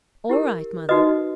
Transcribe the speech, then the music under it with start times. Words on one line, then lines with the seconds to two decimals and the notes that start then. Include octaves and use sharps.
'All right, Mother.
0.30 E4 G4 A#4
0.89 D#4 F#4 B4 D#5 D#6